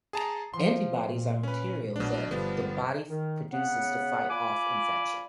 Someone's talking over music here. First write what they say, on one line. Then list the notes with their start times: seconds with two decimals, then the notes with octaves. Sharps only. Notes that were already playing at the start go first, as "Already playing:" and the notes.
Antibodies are materials that the body produces to fight off an infection.
0.13 G#4 A5 A#5
0.54 F3 C6
1.05 A#2
1.43 C#4 B4
1.96 A#1 B2 F#3 D4
2.31 G1 D3 F3 G3 B3
3.09 D#3
3.52 C#3 B3 F#5
4.30 F4 D5 G#5 B5 D6